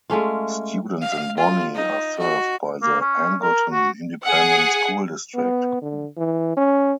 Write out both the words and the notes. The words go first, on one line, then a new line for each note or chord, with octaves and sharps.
Students in Bonney are served by the Angleton Independent School District.
G#3 A3 C#4 F4
F5
F4
D#4
F#4
A#3
C#4
A#4
F#4
G#4 F#5
B3
D3
E3
C#4